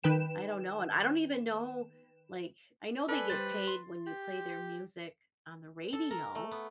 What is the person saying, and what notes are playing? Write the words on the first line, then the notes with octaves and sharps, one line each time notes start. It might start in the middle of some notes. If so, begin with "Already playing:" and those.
you know, I don't know and I don't even know like I know they get paid when you play their music on the radio
D#3 B4 G5 E7
A4 B4 D5 G#5
G3 C5 A6
C6
G4
A4
A#4
A3
B3